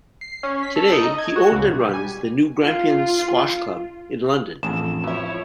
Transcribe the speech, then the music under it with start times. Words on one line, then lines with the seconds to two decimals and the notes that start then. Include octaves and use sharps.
Today, he owns and runs the New Grampians Squash Club in London.
0.21 C7
0.43 C#4
0.63 B6
0.76 A4
0.92 D#4
1.05 D#5
1.18 G#6
1.36 F#4
1.52 C#2
1.67 B1
1.80 G3
1.93 G#5
2.62 F4
4.63 A1 F2 D4 G#4 E7
5.04 F3 F#3 E4 C#5 E5